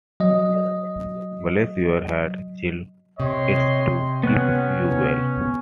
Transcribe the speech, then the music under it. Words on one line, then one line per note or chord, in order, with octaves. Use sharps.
Bless your heart, child, it's to keep you well.
F#3 D#5
C3 C#5 D#5 C6
B3 C#4 F#6